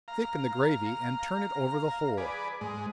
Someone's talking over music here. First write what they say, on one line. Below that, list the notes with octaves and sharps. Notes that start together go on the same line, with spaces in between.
Thicken the gravy and turn it over the whole.
F5 A#5
G#4 B4 D5
G#2 G#3